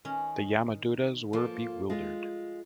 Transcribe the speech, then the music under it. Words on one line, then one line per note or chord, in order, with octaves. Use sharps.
The Yamadutas were bewildered.
D#3 C#4
F3 A#3 F4 A4
G#3 F4